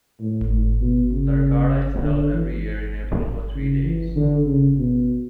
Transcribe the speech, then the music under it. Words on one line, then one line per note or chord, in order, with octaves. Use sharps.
The regatta is held every year in April for three days.
A2
A2
B2
C#3
D3
E3
C#3
E3
D3
C#3
B2